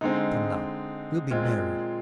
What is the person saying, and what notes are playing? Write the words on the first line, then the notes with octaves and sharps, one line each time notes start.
Come now, we'll be merry.
D3 G#3 C4 D#4
A#2 G#3 C4 F4